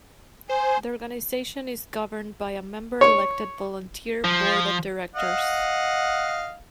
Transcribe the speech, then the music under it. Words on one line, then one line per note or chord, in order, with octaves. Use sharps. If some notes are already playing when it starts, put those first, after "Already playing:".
The organization is governed by a member-elected, volunteer Board of Directors.
C5 G#5
C#5
F3
D#5 F5 F#5